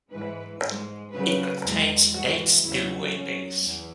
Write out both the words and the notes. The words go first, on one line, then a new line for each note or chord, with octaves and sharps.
It contains eight spillway bays.
G#2 E3 G#3 B4
G#2 G#3
F#2 C#3 F#3 B4
E2 B2 G#3
G#2 E3 G#3 F#4
E2 C#3 F#3 E4
F#2 F#3 C#4
E2